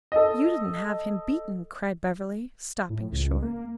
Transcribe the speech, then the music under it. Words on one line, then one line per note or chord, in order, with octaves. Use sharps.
"You didn't have him beaten?" cried Beverly, stopping short.
A4 D#5
A2
C#2
A#3